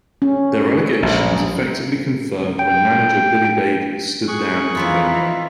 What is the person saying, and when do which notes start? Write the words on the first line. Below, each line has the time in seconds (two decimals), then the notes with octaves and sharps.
Their relegation was effectively confirmed when manager Billy Davies stood down in November.
0.22 C#4
1.02 A#1
2.59 G5
4.28 G#4 C#6 F#6
4.75 D#3 E3 A#3 E4 F4